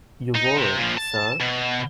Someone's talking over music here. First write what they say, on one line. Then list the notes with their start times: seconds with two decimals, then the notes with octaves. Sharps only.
You wore it, sir?
0.35 D#4
0.57 C3
0.78 A#2 F3
0.98 A5
1.40 B2